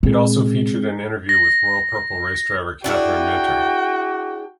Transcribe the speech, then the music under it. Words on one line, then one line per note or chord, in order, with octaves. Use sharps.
It also featured an interview with Royal Purple race driver Kathryn Minter.
A#2 G#3 C4 G#4
A#6
D4 E4 F#4 G#4 G5